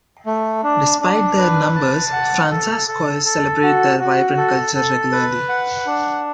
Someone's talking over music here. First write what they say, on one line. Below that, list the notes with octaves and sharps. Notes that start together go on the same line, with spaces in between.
Despite their numbers, Fransaskois celebrate their vibrant culture regularly.
A3
D4
D4
B4
A5
F#5
A4
A4
A4
F#4
F#4
A4
A4
B4
F#5
D4